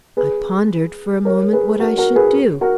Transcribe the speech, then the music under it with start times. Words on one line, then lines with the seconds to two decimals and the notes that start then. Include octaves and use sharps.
I pondered for a moment what I should do!
0.17 G#4 B4
1.25 A#4 C#5
1.53 G#4 B4
1.80 F#4 A#4
1.98 F#4 A#4
2.16 G#4 B4
2.61 F#4 A#4